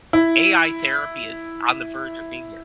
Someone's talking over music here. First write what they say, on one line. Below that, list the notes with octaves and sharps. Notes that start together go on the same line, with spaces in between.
AI therapy is on the verge of being here.
E4